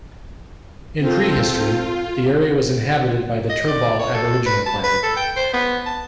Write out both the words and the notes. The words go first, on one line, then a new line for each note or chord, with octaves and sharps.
In prehistory, the area was inhabited by the Turrbal Aboriginal clan.
C4 F4 A4
D#5
D5
C#5
A4
B4
A5
B4
A4
G5
C5
B3
A5